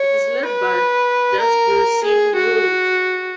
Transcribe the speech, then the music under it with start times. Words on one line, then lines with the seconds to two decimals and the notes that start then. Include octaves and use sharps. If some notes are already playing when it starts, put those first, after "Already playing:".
It is led by Jasbir Singh Rode.
Already playing: C#5
0.45 B4
1.40 A#4
2.04 G#4
2.35 F#4